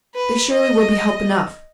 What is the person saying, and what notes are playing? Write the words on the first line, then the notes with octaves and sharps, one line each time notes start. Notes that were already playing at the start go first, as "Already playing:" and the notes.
"They surely will be help enough."
B4
D#5